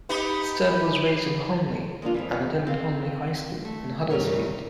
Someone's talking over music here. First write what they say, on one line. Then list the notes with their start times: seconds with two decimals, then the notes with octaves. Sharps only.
Stead was raised in Honley and attended Honley High School in Huddersfield.
0.09 B3 D#4 G4
2.02 G#3 A#3 D4 F4
2.14 F2 G#2 E3
2.67 C4 F5
3.65 A3
4.10 G2 C3 G3 A3 A#4 C#5